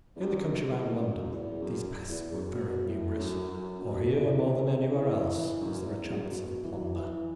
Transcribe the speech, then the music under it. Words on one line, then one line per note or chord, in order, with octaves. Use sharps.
In the country round London these pests were very numerous, for here, more than anywhere else, was there a chance of plunder.
E2
F#2
A2
F#2
E2
F#2
E2
F#2
B2
A2
F#2
F#2
B2
E3
C#3
E3
E3
F#2
E2
F#2
B2
E3
F#3
E3
F#3
E3